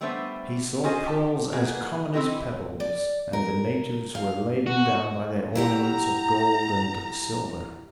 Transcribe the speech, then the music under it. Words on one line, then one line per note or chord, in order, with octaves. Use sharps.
He saw pearls as common as pebbles, and the natives were laden down by their ornaments of gold and silver.
G3 A3 B3 D4 C5 E5
C#4 F4 F#4 G#4 C5 D#5
G4 G5 A5
A#3 F#4 G#4 B4
E3 C4 E4 F#4 G4 D#5
D5
A#4
F5
F#4
E4 G4 F#5 A#5